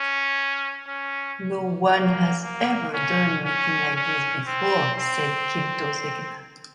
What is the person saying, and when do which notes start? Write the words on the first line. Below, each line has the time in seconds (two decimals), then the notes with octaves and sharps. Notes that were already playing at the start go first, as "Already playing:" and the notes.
"No one has ever done anything like this before", said Gildo Zegna.
Already playing: C#4
0.88 C#4
1.91 A#3
2.42 A#3
2.94 C#4
3.45 C#4
3.96 C#4
4.47 C4
4.98 C4